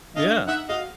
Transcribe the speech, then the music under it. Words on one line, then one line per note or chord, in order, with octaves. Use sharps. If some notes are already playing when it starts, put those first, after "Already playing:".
M yeah.
D4 D#5 F5
D#4 E5 F#5
F#4 D#5 F5